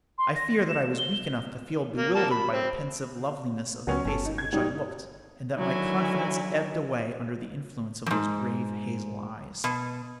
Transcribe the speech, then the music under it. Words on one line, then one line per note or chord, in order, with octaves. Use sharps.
I fear that I was weak enough to feel bewildered by the pensive loveliness of the face at which I looked, and that my confidence ebbed away under the influence of those grave hazel eyes.
C6
A#6
E7
G7
A#3
A#3 A5
B5
C4
C#2 F#3 B3 C#4
G1 C#4 A4
D#4
G#6
F#3 G3 D#4
D3 D#3 F#3 E4 G#5
F2 G#2
B2